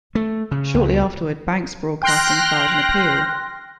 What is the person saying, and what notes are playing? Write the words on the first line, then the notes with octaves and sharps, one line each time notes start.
Shortly afterward, Banks Broadcasting filed an appeal.
A3
C#3
C#2
G5 C6 F6 F#6 A#6